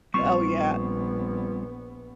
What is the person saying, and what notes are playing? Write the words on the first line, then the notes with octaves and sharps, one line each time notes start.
Oh, yeah.
A#1 G3 B3 C4 F4 C#6